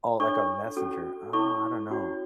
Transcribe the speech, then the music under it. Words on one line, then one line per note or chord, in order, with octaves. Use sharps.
Oh, like, on Messenger. Oh, I don't know.
D4 A4 C#5 C#6
C#4 F#4 A4
E4 A4 C#5 C#6
C#4 F#4 C#5